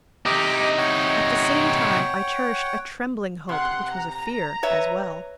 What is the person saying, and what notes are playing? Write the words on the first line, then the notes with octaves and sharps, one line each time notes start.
At the same time I cherished a trembling hope which was a fear as well.
C3 D#4 G4 D#5 D6
C#5 F#5 G5
C3 F#5 C6 F#6
A#5
B4 C#5 E5